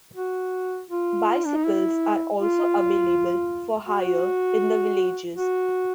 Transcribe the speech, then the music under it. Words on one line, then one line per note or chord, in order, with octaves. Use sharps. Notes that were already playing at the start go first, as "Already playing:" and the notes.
Bicycles are also available for hire in the villages.
F#4
F4
D4
D#4
E4
F4
F#4
F#4